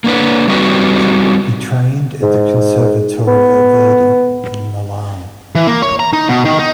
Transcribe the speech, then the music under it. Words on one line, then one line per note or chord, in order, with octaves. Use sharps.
He trained at the Conservatorio Verdi in Milan.
A#3 D4 B4
G3 C4 D#4 F#4 G4 B4
G#2
B3
E3
A#3
C#5
A#5
D#4
B2
D#3
D#4